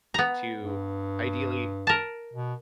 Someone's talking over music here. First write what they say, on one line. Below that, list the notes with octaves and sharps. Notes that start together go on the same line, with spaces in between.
to ideally
B3 A#5
G2
A#4 A5
B2